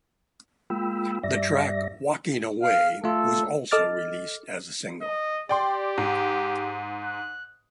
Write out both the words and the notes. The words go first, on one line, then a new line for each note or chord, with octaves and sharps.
The track "Walking Away" was also released as a single.
G#3 A#3 F4 G5 B5 E6
G2 G3 D5 E5 A#6
F5
A3 F4 A4
A4 D#5 D6 F6 A6
D#5
G4 D5 G5 C6
G#2
F#6